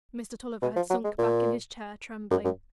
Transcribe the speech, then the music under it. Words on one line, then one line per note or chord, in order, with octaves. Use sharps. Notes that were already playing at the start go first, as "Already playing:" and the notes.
Mr. Tulliver had sunk back in his chair trembling.
B2
F3
F#3
G#3
A#2
F#2
F#2